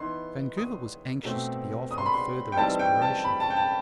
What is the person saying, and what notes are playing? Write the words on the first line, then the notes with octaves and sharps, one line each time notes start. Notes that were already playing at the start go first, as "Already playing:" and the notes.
Vancouver was anxious to be off on further exploration.
Already playing: E3 B3 D#4 C6
D#6
B2 A3 C4
D#6
C6
B5
C6
G5
E3 G3 C4 D#4 A5
G5
A5
B5
A5
G5
A5